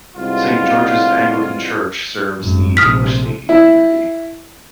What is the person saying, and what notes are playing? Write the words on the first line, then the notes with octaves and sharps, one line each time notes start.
Saint George's Anglican Church serves the English-speaking community.
G1 C2 G#3 B3 F4
G#1 F#2
A#1 C3 A3 D#6 F6 B6
E4